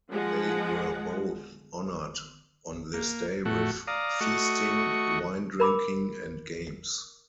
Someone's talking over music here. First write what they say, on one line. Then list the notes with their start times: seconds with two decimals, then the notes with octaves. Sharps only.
They were both honored on this day with feasting, wine-drinking, and games.
0.10 F3 G#3 F#5
2.94 A#3
3.46 A2 A3 F#4
3.87 D5 F5 A#5 D#6
4.21 A3 F#4 D#5 C#6
5.60 A#4 B5 D6